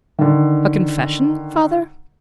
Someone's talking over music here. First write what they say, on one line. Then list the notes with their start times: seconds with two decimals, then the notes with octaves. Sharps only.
"A confession, father?"
0.19 D3 D#3